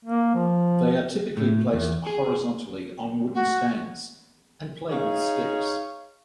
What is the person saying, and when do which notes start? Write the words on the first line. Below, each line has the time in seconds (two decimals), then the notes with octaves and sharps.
They are typically placed horizontally on wooden stands and played with sticks.
0.05 A#3
0.35 F3
1.37 A2
1.73 E2
2.07 G#4
3.35 F#4
4.90 D#4 G#4 C#5 F5